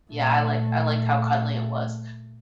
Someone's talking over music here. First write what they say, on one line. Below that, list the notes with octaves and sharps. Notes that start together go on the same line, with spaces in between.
Yeah, I liked I liked how cuddly it was.
A#2 A3